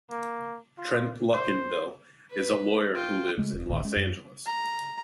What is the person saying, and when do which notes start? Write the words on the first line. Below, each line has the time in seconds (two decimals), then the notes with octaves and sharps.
Trent Luckinbill is a lawyer who lives in Los Angeles.
0.10 A#3
0.77 F4
1.33 C5
2.30 B4
2.95 F4 G5
3.38 C#3 G#3 A3
3.53 E1
3.68 D#1 A#1 A2 D#3
3.85 G#3 C#4
3.97 F#2
4.46 A#5